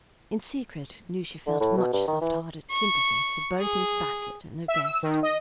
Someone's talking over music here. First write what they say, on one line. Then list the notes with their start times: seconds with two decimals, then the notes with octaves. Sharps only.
In secret Lucia felt much soft-hearted sympathy for both Miss Bassett and her guest.
1.47 D3
1.60 A2
1.77 B2
1.93 G2
2.07 D#3
2.21 E3
2.71 C#6
3.59 G#4
4.68 E5
4.84 E6
5.03 D#3
5.23 D#5